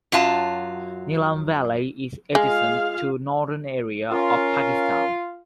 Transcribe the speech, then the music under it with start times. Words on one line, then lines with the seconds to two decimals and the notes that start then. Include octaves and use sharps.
Neelum valley is adjacent to Northern Areas of Pakistan.
0.12 F#2 F#3 F4 A5
2.35 G#3 F4 G#4 F5
4.11 C#4 F4 A#4